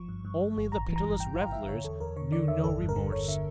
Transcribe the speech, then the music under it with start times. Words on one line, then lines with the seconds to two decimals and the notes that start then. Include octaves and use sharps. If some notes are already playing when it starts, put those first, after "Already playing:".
Only the pitiless revelers knew no remorse.
Already playing: G1 F3 C#6
0.09 G2
0.25 G2
0.40 G2
0.57 G1
0.72 A1 A#5
0.88 E3
0.96 A#5
1.04 G2
1.20 A1 G5
1.36 A1 F5
1.52 G2 E5
1.68 D3 C#5
1.84 E2 A4
2.00 E2 A#4
2.16 D3 C#5
2.32 D3 D5
2.48 E2 E5
2.64 G1 A4
2.80 G2
2.89 A#4
2.96 D3
3.12 D3 C#5
3.28 D3 E5